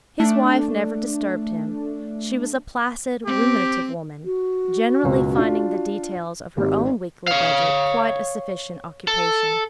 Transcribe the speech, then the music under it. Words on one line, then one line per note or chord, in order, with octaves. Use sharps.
His wife never disturbed him; she was a placid, ruminative woman, generally finding the details of her own weekly budget quite a sufficient occupation.
A3 D4
C4 G4
F#4
F#1 C#2 B2
D4 F4
G#1 G#2 G4
C#5 F5
A4